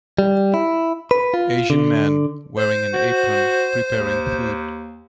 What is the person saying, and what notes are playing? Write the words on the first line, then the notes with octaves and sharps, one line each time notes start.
Asian man, wearing an apron, preparing food.
G3
E4
B4
F4
D3
C5
F#4
D#2